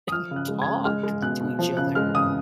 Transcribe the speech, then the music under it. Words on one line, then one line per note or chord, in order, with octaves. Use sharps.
and talk to each other.
D#6
F3 F6
C#3
F#6
G#3
G#6
C#3
G#3 F6
G#3
B2 F#6
B2
F3
C#3 F#6
G#3 F6
C#3 D#6